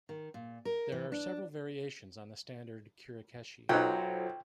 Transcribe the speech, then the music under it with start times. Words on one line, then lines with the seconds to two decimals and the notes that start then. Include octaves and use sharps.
There are several variations on the standard kirikaeshi.
0.09 D#3
0.34 A#2
0.65 A#4
0.92 E3
1.12 D4
3.69 B1 F#3 D#4 F4 A4 C5 G5